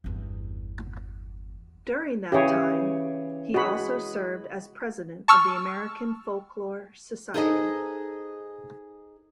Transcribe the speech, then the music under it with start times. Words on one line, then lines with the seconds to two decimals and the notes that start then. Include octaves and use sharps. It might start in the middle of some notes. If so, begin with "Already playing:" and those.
During that time, he also served as president of the American Folklore Society.
0.04 G1 E2
2.32 C#3 E3 G4 G#4 C#5
3.54 G#3 F#4 G#4 B5
5.28 A5 C#6 E6 F6
7.34 D#4 G#4 A4 B4 C5 D#5